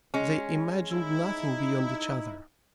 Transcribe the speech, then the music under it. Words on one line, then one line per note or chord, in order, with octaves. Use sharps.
They imagined nothing beyond each other.
G#3 C#4
D#4 E4